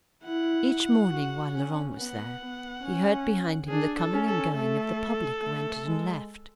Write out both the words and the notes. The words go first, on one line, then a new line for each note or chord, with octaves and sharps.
Each morning, while Laurent was there, he heard behind him the coming and going of the public who entered and left.
E4 F#5
F#4
C#4
B3 F#5
B3
C#4
D4 G#4
A4
C#4
A4
A3 A4
A3
G#3